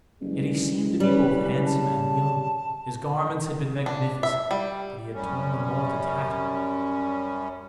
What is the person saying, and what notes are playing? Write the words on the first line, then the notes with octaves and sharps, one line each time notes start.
Yet he seemed to be both handsome and young: his garments had been magnificent, but he had torn them all to tatters.
F#1 E3 G3 G#3
G#1 A2 G3 C#4 B4
C#3 A5
D4
E5
G3
F#2 G3 C#4